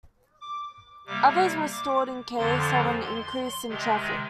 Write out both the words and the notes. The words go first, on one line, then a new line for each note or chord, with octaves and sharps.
Others were stored in case of an increase in traffic.
D6
C3 G3 A#3 D6
D6
F2 D3 F3 C6
C6
C3 D#3 G#3